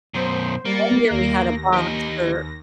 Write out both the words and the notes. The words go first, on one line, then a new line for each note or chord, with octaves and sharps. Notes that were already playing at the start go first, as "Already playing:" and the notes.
One year we had a box for
F#2 B2 C5
G3 A#3 A6 C#7
D#2 A#6
G4 D#5